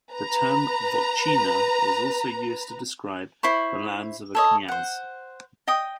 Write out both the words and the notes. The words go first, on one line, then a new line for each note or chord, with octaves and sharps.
The term "votchina" was also used to describe the lands of a knyaz.
B4 A#5
E4 C5 B5 C#6
A4 C#5 D#5
C5 F#5
D#5 G5 D#6